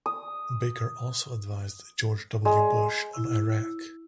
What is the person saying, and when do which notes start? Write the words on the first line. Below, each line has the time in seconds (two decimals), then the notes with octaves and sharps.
Baker also advised George W. Bush on Iraq.
0.06 D#6
2.45 G#3
3.13 E4 E6